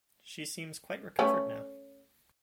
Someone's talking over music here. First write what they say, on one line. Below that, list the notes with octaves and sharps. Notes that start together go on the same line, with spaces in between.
She seems quite recovered now.
A3 C#4 B4